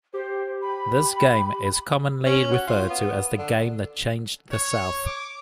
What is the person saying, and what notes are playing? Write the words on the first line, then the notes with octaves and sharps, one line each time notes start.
This game is commonly referred to as the game that changed the south.
G4 C5
B5
C#4
F#4
F4
B3
D3
C#5
D6